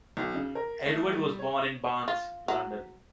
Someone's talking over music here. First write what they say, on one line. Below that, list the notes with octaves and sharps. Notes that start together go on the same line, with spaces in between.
Edwards was born in Barnes, London.
B1
C#3
A#4
A3
G3
C#5
F4
F#3